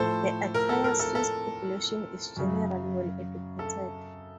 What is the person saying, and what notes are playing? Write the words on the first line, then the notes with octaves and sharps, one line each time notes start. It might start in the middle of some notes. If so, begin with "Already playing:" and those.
The entire Swiss population is generally well educated.
Already playing: A2 F3 A4 C5
A#4
A4
A#4
A4
A4
F#2 C#3 F#3
A4